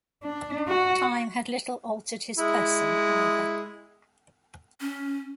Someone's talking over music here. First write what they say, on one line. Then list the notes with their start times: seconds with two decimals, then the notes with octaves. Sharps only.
Time had little altered his person either.
0.23 D4
0.68 F#4
2.38 G#3 E4
4.81 C#4